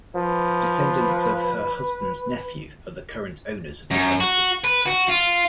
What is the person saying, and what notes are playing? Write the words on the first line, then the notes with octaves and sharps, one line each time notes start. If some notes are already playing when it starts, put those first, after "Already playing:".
Descendants of her husband's nephew are the current owners of the property.
F3 B4
F#2
F#4
B4
F#4
F4